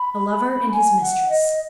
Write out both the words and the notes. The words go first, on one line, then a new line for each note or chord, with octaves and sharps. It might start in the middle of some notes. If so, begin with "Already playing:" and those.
A Lover and His Mistress.
Already playing: B5
G#5
F#5
D#5